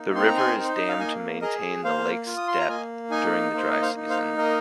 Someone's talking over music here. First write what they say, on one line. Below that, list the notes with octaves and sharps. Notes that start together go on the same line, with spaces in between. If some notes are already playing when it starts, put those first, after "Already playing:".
The river is dammed to maintain the lake's depth during the dry season.
Already playing: A#3 D#4
C4 C6
A#5
G#5 C6
A#4
D#4
C5
D#5
F5
A#3 D#5 G#5
G#4 A#4 D#5
A#3 C5 F5
F4
D#6
C6
A#5
A#3 D#5 G#5
D#4 D#5 G#5
A#3 C5
D#5
C5 F5
D#4
C5 F5
A#3 A#4 D#5